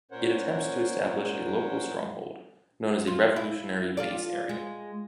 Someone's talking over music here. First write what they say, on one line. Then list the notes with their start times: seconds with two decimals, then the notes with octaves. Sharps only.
It attempts to establish a local stronghold known as a revolutionary base area.
0.11 A#2 C#4 A#4 C5 C#5 F#5
3.07 F4
3.36 E4
3.97 F4 A4 D5
4.49 G#3